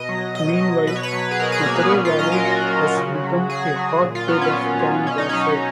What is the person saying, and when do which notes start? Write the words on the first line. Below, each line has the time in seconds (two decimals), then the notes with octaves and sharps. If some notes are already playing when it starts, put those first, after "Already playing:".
Meanwhile, Mathare Valley has become a hotbed of gang warfare.
Already playing: B2 D#5
0.09 F#3
0.35 B2 D#5
0.61 F#3
0.87 B2 B4
0.96 C#5
1.03 B4
1.13 F#3
1.31 G#4
1.40 B2 A#4
1.52 G#4
1.66 F#3 A#3
1.79 B3
1.92 A#2 C#4
2.05 F4
2.19 F#3 D#5
2.32 A#4
2.44 A#2 F#4
2.70 F#3
2.97 C#3
3.24 F#3
3.49 C#3 G#4
3.76 F#3
4.02 A#2
4.15 F4
4.28 F#3 B3
4.41 C#4
4.54 A#2
4.80 F#3
5.06 B2 C#4
5.18 D#4
5.29 F#3 C#4